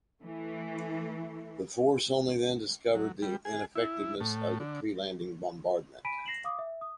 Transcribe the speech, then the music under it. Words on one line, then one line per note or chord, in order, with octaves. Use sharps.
The force only then discovered the ineffectiveness of the pre-landing bombardment.
E3 A3
F#3
G3
G#4
E4
A2
D3
G#5 B5 B6 D7 D#7
A#6 C7 E7 F#7
F5 D6 D#6
E5
D#6